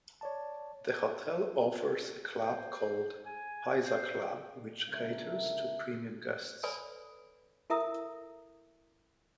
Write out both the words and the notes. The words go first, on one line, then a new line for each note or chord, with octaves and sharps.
The hotel offers a club called Paiza Club which caters to premium guests.
C#5 D5 A5
C5
G#5
C5
G1 C#2 G3 A4 A#4 E5
A4 B4 C#5 D5 G#5 B5
E4 A4 A#4 E5 A#5 D#6